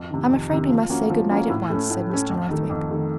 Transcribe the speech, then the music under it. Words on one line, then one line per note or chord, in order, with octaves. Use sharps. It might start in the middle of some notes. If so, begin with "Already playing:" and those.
"I'm afraid we must say good night at once," said Mr. Northwick.
Already playing: F2
C3 D#3
F2
C3 D#3
F3
A#3 C#4 F#4
F3
A#3 C#4 F#4
A2
A3 C#4
A2
A3 C#4
F2
D#3 A3
F2
D#3 A3